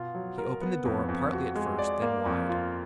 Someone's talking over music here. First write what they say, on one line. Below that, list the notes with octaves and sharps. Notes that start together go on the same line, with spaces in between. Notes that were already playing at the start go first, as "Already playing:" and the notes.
He opened the door, partly at first, then wide.
Already playing: B2 F4
F#3
A#4
B3
F2
F2
F#4
G#3
D5
A#3
F2
F4